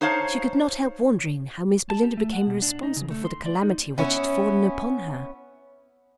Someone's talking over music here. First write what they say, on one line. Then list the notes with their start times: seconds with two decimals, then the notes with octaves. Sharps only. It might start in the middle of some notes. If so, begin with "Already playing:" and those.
She could not help wondering how Miss Belinda became responsible for the calamity which had fallen upon her.
0.01 D#4 C5 C#5 F5 A5
1.90 A5
2.03 G4
2.17 A3
2.33 F#5
2.47 B2
2.62 D4
2.83 D#4
2.97 C#3
3.11 A3
3.25 C6
3.46 D5
3.63 D#4
3.98 B3 C#4 E4